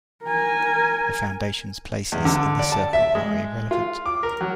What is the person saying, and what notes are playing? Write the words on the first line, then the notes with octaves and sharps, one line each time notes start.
The foundations' places in this circle are irrelevant.
A#4 G#5
E2
D3
D5
A5
E5
G#3
F4
D6
A#4
F#3